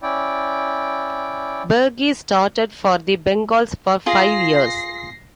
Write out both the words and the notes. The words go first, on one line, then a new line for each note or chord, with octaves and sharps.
Bergey started for the Bengals for five years.
C#4 E4 D5 G5
F4 G#4 A#6 C7